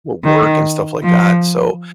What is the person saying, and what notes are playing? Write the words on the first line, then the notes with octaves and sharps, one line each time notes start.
w work and stuff like that, so,
D#3
F3